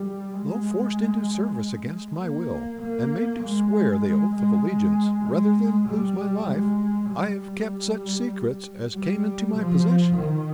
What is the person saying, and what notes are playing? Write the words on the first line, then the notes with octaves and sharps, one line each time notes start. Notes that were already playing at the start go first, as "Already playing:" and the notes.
Though forced into service against my will, and made to swear the oath of allegiance, rather than lose my life, I have kept such secrets as came into my possession.
Already playing: G3
G#3
A#3
A#3
G#3
G#3
G#3
G#3
G#3
G3
G#3
G3
G3
F3
D#3